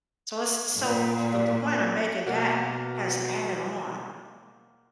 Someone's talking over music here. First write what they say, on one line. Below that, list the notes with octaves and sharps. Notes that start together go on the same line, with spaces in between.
So, it's this So, the point I'm making, that has added on.
A#2
B2 A#3 F#4